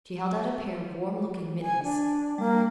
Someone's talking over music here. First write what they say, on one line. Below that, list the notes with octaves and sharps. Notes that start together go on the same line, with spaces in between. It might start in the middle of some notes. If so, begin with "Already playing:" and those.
She held out a pair of warm-looking mittens.
G#5
D4
G3 A#3